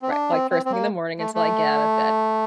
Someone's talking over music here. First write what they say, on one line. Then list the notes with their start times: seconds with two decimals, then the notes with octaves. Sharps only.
ri like, first thing in the morning until I get out of bed
0.02 C4
0.11 D4
0.31 C4
0.51 C4
0.66 C4
0.72 A#3
1.19 A3
1.34 A3